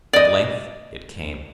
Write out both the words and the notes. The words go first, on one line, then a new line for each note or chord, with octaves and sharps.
At length it came.
D5 D#5